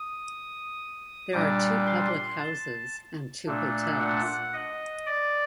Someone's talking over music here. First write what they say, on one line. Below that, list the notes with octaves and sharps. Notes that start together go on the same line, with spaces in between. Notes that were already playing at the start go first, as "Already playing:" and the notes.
There are two public houses and two hotels.
Already playing: D#6
A#2 G3 D4 D6
C6
A5
A#2 A3 D4
F#5
D#5
D5